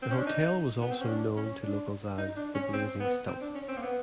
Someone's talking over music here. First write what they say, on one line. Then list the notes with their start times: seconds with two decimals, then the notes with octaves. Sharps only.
The hotel was also known to locals as 'The Blazing Stump'.
0.02 C4
0.11 C#4
0.18 D4
0.27 D#4
0.81 B3
0.91 C4
1.00 C#4
1.08 D4
1.36 C#4
1.63 D4
2.18 D#4
2.36 D4
2.55 C#4
2.73 C4
3.00 B3
3.28 C4
3.41 D4
3.55 C#4
3.68 C4
3.77 A#3
3.82 B3